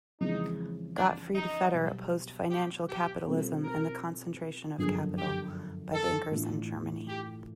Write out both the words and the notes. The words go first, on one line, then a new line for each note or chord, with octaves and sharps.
Gottfried Feder opposed financial capitalism and the concentration of capital by bankers in Germany.
F2 C#3 E3 G#3 C#4 D#4
D4
D#4
B1 B2 G3
G4
G4
B2 G3 C4 F4 A4
A#4
G1 F#2 D3 F3 G#4
G4
A4
A2 E3 A3 D4 F4
G4